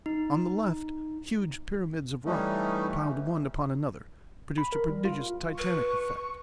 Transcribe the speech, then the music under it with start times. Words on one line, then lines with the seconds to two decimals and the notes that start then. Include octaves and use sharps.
On the left huge pyramids of rock, piled one upon another, produced a prodigious titanic effect.
0.06 D#4
2.26 E3 G3 A3 C#4 D#4
4.58 B5
4.72 A#4
4.89 G3
5.05 F4
5.58 B4 C#6